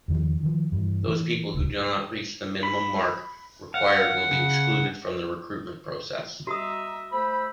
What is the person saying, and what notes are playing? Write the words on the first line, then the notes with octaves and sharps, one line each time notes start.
Those people who do not reach the minimum mark required will be excluded from the recruitment process.
E2 D#3 F3
D#3 F3
G2 E3
E3
D#1 C#2
B5
F5 F#5
C#3
F#4 D#5 E5 A#5 D#6
A3 C5 B5 E6